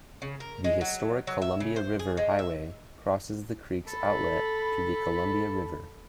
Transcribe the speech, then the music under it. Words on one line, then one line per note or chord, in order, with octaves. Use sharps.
The Historic Columbia River Highway crosses the creek's outlet to the Columbia River.
C#3
A#4
G#3
F#3
F#3
E5
C#3
C5
G#4
G#3
E5
A4 B5